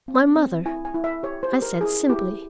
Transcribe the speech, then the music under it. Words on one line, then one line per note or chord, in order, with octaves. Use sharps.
"My mother," I said simply.
C4
C4
E4 G#5
G#5
E4
E5
G4 C#5
C5
G4
A#4
E4 G#4
E4 G4